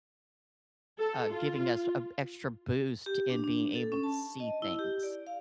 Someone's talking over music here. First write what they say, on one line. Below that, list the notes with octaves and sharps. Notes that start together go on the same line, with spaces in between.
uh, giving us a extra boost in being able to see things.
A4
F4
G4
D4
D4
A4
C#4
A5
D#5
E4
G4
D5
F5